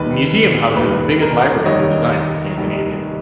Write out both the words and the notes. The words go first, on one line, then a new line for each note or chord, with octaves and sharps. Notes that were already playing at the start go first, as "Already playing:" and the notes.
The museum houses the biggest library for design in Scandinavia.
Already playing: F1 D#2 D#3 G3 B4
F1 D#2 D#3 G3 B4
A#4
F1 D#2 D#3 G3 C#5 D#5
F1 D#2 D#3 G3